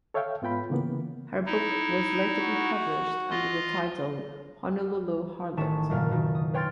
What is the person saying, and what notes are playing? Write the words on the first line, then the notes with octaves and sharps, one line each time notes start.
Her book was later re-published under the title Honolulu Harlot.
A4 C#5 E5 F5 G5
G#2 B3 F4 G5 B5
C#3 E3 A#3 B3
D#4 E4
F#4
F4 D#5
A1 D#3 A5 C#6 B6 E7
F#1 F#2 A#2 D#3 F6
B2 D#3
D#6
B4 C#5 G5 C6 F6 A6